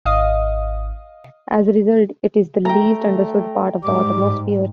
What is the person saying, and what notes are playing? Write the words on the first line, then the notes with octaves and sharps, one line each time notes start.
As a result, it is the least-understood part of the atmosphere.
G#1 D#5 F5 D#6
A3 G5 A#5
G#2 G3 D6